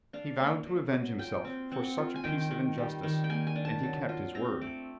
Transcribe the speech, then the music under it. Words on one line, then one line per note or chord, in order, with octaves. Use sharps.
He vowed to avenge himself for such a piece of injustice, and he kept his word.
D4 F5
A#3
F#3
F#3
F4 G5
C4
C4 F#5
F4
G#5
D#3 G5
D#3
G3
D#3
G5
A#3 G#5
G#5
D4
A5
F#3
F4
C4 A#5
A3 D6